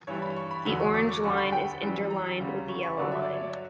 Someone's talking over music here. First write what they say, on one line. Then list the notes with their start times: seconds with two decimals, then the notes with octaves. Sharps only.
The Orange Line is interlined with the Yellow Line.
0.07 G2 E3 G3 C#5
0.22 B5
0.36 C#6
0.51 B5
0.65 E2 D3 F#3 B5
0.80 C#6
0.94 D6
1.09 C#6
1.24 D2 D3 G3 C#6
1.37 B5
1.52 G5
1.81 F#2 E3 G3
2.10 A#5
2.39 D2 C#3 G3
2.68 C#6
2.83 C#6
2.97 G2 D3 F#3 D5
3.11 E5
3.22 D5
3.33 C#5
3.43 D5